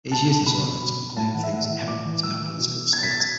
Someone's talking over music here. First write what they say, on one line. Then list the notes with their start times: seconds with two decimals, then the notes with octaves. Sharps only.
It is useless however, to complain of things inherent in our political state.
0.11 B2 A5
0.28 A5
0.46 B2 B5
0.82 B2
1.10 B5
1.17 A2 A5
1.34 E3 F#5
1.44 E5
1.52 A2 F#5
1.64 E5
1.70 E3
1.88 A2 D6
2.05 E3
2.23 A2 E6
2.41 E3
2.58 B2
2.93 B2 G#6
2.98 A6
3.03 B6
3.11 A6
3.20 G#6